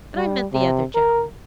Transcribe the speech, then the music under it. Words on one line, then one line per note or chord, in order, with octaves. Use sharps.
But I meant the other gentlemen.
G3
C3
A#4